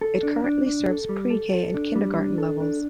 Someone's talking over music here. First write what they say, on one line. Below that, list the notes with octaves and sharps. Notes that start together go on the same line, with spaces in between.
It currently serves Pre K and Kindergarten levels.
A4
D4
D4
D4
A4
G3
A4
A4
D4
G3
D4
A4
D4